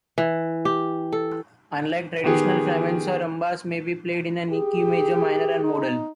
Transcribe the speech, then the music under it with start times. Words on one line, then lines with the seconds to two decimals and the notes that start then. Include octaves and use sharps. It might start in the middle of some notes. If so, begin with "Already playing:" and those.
Unlike traditional flamenco, rumbas may be played in any key, major, minor and modal.
0.18 E3
0.65 G4
1.12 A4
2.24 D#3 B3 G4 G#4
4.49 G4 G#4
5.64 D#4